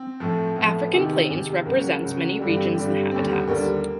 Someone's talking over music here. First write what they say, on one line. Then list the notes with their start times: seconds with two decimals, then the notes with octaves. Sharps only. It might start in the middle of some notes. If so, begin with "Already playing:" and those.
African Plains represents many regions and habitats.
Already playing: C4
0.20 A2 F3
0.56 A2 F3 B3
0.93 E2 C3 D#3
1.29 E2 C3 D#3
1.65 C#2 C#3 F#3 A#3
2.02 C#2 C#3 F#3
2.39 G2 D3 G3
2.56 C4
2.75 G2 D3 G3
3.11 D#2 D3 G3 C4
3.29 B3
3.47 D#2 D3 G3 A#3